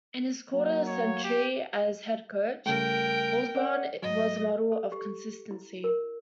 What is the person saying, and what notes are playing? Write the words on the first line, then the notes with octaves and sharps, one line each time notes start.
In his quarter-century as head coach, Osborne was a model of consistency.
F#3 A#3
C#5
G4
C#3 G3 A3 A#4 G5
C#4 D5 F#5
G#2 F#3 D#5
A4
G4
E4
A#4